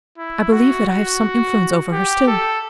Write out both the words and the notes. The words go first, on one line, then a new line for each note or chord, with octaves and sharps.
I believe that I have some influence over her still.
E4
F#4
F#4
G4
A4